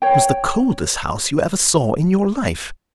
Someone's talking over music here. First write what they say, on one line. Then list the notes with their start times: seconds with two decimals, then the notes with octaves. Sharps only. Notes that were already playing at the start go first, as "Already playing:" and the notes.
It was the coldest house you ever saw in your life.
0.02 C#5 G5